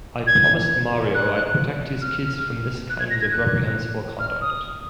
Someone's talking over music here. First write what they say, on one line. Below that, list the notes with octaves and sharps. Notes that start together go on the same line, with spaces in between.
I promised Mario I'd protect his kids from this kind of reprehensible conduct.
G#6
F#6
F6
F#6
G#6
A#6
G#6
F#6
F6
D#6